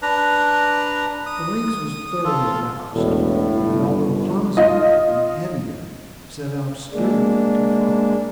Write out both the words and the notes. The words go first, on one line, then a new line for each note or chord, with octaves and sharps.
The lynx was thoroughly aroused, and although clumsier and heavier, set out sturdily to follow.
D4 B4 A#5
D#6
F4 A4
E1 A2
G1
F4 D#5
G#3 A#3 D4